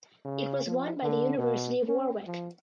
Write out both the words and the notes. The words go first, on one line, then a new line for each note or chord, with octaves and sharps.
It was won by the University of Warwick.
C#3
F3
D3
B2
C#4
F3